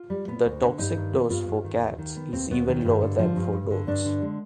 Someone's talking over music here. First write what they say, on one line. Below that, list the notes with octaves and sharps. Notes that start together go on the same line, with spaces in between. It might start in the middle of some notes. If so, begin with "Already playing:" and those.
The toxic dose for cats is even lower than for dogs.
Already playing: F4
G3
B3
D2
D3
G2 D#4
D#3
B3
G2 F4
G2
D#3
D#2
D#3
B3
D#2 C4
D#2 B3
D#3 B3
G2
D3
F3
G2
G2
D3
G2 D4
D3
G#3